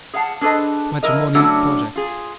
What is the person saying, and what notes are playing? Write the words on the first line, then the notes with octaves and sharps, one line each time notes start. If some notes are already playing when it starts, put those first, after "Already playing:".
Matrimonial Projects.
G#4 F5 F#5 A5
D4 G#4 A4 B4 C5 D#5
F3 E4 A#4 D#5
C#3 F#3 A3 D4 E4 F#4
F4 G#4